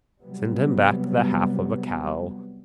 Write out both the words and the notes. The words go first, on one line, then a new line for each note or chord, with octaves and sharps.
Send him back the half of a cow.
C3 F#3 G3 B3